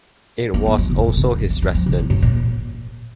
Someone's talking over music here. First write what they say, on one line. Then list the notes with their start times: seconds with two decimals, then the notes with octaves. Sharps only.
It was also his residence.
0.54 A#3
0.66 G#3
0.78 F3
0.90 C3
0.99 G#2
1.08 A#2
1.17 C3
1.26 D#3
1.38 F3
1.50 A#3
1.62 G#3
1.75 F3
1.86 C3
1.99 A#2
2.10 G#2
2.22 A#2